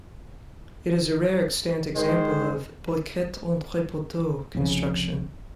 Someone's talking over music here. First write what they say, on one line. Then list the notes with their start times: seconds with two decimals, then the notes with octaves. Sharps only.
It is a rare extant example of "briquette-entre-poteaux" construction.
1.94 D#3 G#3 C5
4.54 F1 C2 C#3 F3